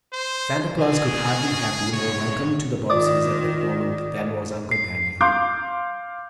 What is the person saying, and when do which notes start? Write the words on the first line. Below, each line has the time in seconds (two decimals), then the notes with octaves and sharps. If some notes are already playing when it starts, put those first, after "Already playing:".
Santa Claus could hardly have been more welcome to the Bobbseys at that moment than was Uncle Daniel.
0.13 C5
0.78 C#2 G#4 G#5
1.92 A2 C#3 C#5
2.90 D#3 F4 D5 D6 D#6
4.71 C7
5.21 F5 C6 D6 G6